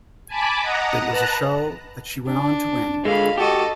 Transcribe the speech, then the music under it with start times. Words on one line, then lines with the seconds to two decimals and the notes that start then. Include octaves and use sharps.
It was a show that she went on to win.
0.27 G#5 A5 B5 D6
0.62 D#5 F#5 A#5
1.07 B4 A5 A#5 F#6
2.26 D4
3.05 D3 G#3 F5 B5
3.38 F#4 G4 A4 D#5